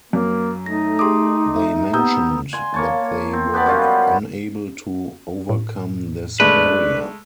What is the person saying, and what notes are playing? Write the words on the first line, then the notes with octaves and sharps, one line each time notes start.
They mentioned that they were unable to overcome this "barrier".
F#2 A#3
A3 D#4 A#6
G4 G#4 C6 D6 D#6
E5
B3 G4 A#5 D#6 E6 G6
G#5 C6
A#3 C#5 A5
C4
B3 G4 A5 B5
F#2 G3 C#4 F4
A2
G#3 A3 D4 B4 B5